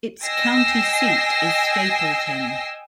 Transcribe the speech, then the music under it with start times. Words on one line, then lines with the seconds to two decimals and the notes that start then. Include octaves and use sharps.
Its county seat is Stapleton.
0.24 D#5 G5 G#5 E6 A#6 C7